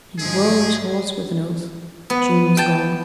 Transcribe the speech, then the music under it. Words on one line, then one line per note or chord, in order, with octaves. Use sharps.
He whirled his horse with an oath--June was gone.
G#2 F3 G#4
B3
G5 A5